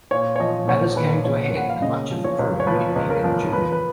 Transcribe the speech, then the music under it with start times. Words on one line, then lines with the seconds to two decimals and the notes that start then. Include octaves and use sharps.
Matters came to a head and much of the crew mutinied in June.
0.11 A#2 C#5
0.36 C#5
0.40 F3 D#5
0.68 A#1 C#5
0.96 A#1 B4
1.25 A#1 C#5
1.54 A#1 F#5
1.70 F5
1.82 C#3 D#5
2.11 F3
2.24 C#5
2.39 C#2
2.60 C#5
2.67 F3 B4
2.96 C#2
3.10 A#4
3.24 F3
3.52 F3 B4
3.72 B4